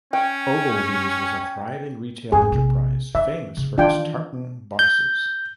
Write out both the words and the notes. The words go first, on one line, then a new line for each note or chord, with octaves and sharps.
Ogilvy's was a thriving retail enterprise, famous for its "tartan boxes".
C#4 G5
G#1 F2 G#4
A#1 C3
D#3 E5
C#3
D#3 E3 D4 F4 G5
G6